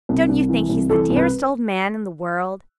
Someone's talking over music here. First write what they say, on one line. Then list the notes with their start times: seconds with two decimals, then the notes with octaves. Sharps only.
Don't you think he's the dearest old man in the world?
0.09 C2
0.29 C2
0.49 E3
0.69 C2
0.89 E3 A4
1.10 C2
1.16 B4